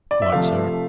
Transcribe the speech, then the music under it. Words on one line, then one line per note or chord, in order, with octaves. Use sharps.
"Quite, sir."
D5
E5
C3 F3 A3 F5